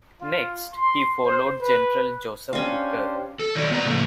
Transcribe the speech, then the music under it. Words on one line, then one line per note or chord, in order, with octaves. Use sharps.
Next, he followed General Joseph Hooker.
F4
C6
C5
B4
C#4 D4 G4 C5 F5
A4
D#3 F#3 F4 C#5 D5
B3 D5 A#5
A2 C#3 F3 A3 A#3